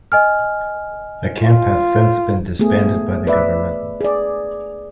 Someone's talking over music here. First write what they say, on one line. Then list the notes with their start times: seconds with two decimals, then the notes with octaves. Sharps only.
The camp has since been disbanded by the government.
0.12 D#5 G#5 F6
1.42 F4
2.59 A3 B3 G#4
3.27 B4 D5 E5
4.01 G#4 D5